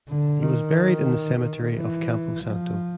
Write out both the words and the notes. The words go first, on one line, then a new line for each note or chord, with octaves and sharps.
He was buried in the Cemetery of Campo Santo.
D3
D#3
E3
F3